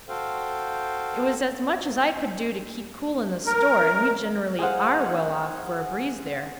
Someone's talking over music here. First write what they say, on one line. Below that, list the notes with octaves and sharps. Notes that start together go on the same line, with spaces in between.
"It was as much as I could do to keep cool in the store, and we generally ARE well off for a breeze there."
F#4 A4 C5 F5 G5
A#4
G#4 C5 F5 F#5